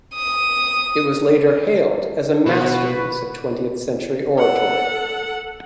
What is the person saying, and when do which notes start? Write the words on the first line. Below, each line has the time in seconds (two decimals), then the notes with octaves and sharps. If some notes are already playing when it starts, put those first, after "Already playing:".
It was later hailed as a masterpiece of twentieth century oratory.
0.15 D#6
2.46 B2 F#4 B4
4.38 A4 F#5